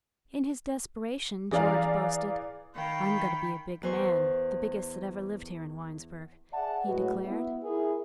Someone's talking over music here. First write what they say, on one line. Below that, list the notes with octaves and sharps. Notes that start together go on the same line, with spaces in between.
In his desperation George boasted, "I'm going to be a big man, the biggest that ever lived here in Winesburg," he declared.
E3 G#4 D5 F5 A#5
D#3 F5 G5 B5
E2 C5 C#6
G#4 D5 E5 F#5 A5
A2 F#3 G#3 F#4 B4 F#5
B3 E4
E4 G#4 A#4